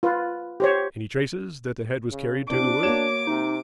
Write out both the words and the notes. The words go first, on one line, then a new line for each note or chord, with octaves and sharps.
"Any traces that the head was carried to the wood?"
F4 B4
G4 C5 C#5
C#3
C4 D4 E4 G4 D6
A#3 F#4 C#5 E7
C3 D#4